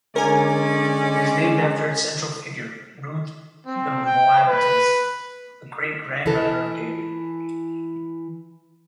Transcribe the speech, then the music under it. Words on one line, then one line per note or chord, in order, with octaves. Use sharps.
It is named after its central figure, Ruth the Moabitess, the great-grandmother of David.
D3 G#3 C#4 A#4 D5 G#5
C4
G5
B4
E3 A4